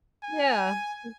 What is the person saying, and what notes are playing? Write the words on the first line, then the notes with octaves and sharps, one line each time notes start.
yeah, y
G#5